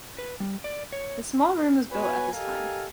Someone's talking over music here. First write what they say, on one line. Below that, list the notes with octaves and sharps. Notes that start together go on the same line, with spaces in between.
The small room was built at this time.
B4
G3
D5
C#5
B3 F#4 B4 C#5 G#5
G4 A4 A#4 D#5 F5 G#5